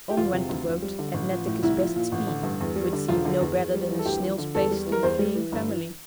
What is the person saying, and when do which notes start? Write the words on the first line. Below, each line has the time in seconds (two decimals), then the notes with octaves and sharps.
On went the boat at Netteke's best speed, which seemed no better than a snail's pace to the fleeing family.
0.10 G4
0.17 E1 F4
0.33 C3
0.49 D2
0.66 F2
0.82 G3
0.99 D3
1.14 A1
1.31 F3
1.46 A2
1.62 C2 E4
1.79 F3
1.96 A#2
2.12 A1
2.27 D3
2.43 G2
2.60 E2
2.76 G3
2.93 D3
3.08 E1 F4
3.25 D3
3.41 E2
3.57 E2
3.74 G3
3.89 E3
3.99 A4
4.06 D2 G4
4.22 F3
4.38 D3
4.55 E2 A4
4.71 G3
4.86 E3
4.92 A#4
5.03 E2 C5
5.19 G3
5.35 E3
5.52 G1
5.68 E3